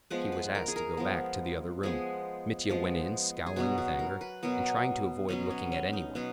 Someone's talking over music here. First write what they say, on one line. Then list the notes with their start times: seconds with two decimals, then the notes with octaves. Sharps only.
He was asked to go back to the "other room." Mitya went in, scowling with anger, and trying to avoid looking at any one.
0.10 F3 G#3 B3 B4
0.32 B4
0.55 A#4
0.68 G#4
0.76 A#4
0.97 F3 G#3 B3
1.83 F3 G#3 B3 G#4
2.69 F3 G#3 B3
3.46 G#4
3.56 B2 F#3 B3 F#4
3.78 F#4
3.99 A#4
4.21 B4
4.43 B2 F#3 B3 A#4
5.29 B2 F#3 B3 C#4
5.50 C#4
5.72 C#4
5.93 D#4
6.15 B2 F#3 B3